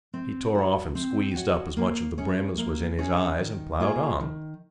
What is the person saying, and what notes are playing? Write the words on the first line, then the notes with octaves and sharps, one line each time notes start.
He tore off and squeezed up as much of the brim as was in his eyes and ploughed on.
C4
F#4 C#5
C4
F#4 C#5
A#3
C#4 G#4 C#5
A#3
C#4 G#4 C#5
D#3
A#3 F4 G#4 D#5
D#3